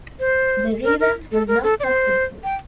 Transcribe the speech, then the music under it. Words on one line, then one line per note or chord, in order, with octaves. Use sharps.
The revamp was not successful.
C5
A#4
A#4
A4
A#4
A4
D5
C5
G5